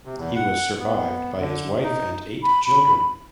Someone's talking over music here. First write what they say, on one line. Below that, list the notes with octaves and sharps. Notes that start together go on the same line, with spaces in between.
He was survived by his wife and eight children.
C3
E2
F#5
B3
D3
D#4
B5